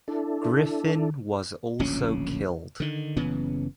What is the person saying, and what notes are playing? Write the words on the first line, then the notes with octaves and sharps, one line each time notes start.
Griffin was also killed.
D4 E4 A4
D1 A#1 C#3 C#4
D3 D#3
F#1 C#3 E3 B3